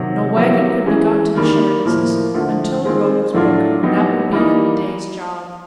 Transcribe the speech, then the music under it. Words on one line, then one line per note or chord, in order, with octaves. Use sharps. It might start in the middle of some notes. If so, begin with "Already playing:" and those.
No wagon could be got to the Shimerdas' until a road was broken, and that would be a day's job.
Already playing: C3 D#3 F#3
F#3 B3 E4 G4 A#4
E3 G#3 C#4
D#3 G3 A#3
A2 F3 A#3
D3 F3 A3
D#3 G#3 C4 F4
A2 F#3 A3 D4 F4
F#3 B3 D#4 G4
E3 G3 A#3 D#4